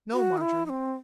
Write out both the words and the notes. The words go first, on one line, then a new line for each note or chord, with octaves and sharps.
No, Marjorie.
F#4
D#4
E4
D#4
C4